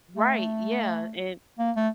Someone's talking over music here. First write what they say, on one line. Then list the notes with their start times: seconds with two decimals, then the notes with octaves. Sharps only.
right, yeah, and
0.17 A3
1.59 A#3
1.76 A3